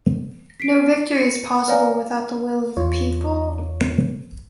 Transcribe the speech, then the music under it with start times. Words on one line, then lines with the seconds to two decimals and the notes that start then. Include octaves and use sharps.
No victory is possible without the will of the people.
0.60 B6 C7 D7
1.15 C#7
1.68 B4 C#5 D5 F5 G#5 A#5
2.77 E2 F4 C#5